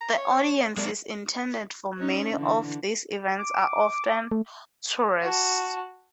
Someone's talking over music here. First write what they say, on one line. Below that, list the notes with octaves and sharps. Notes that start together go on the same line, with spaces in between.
The audiences intended for many of these events are often tourists.
A#5
C#5
G#3 A#3 D5
C#4 D#4
D3 E3
D6
A3
F#4 A5